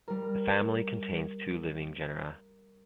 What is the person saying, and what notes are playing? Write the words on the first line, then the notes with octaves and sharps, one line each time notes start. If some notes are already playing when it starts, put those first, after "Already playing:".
The family contains two living genera.
G3 A#4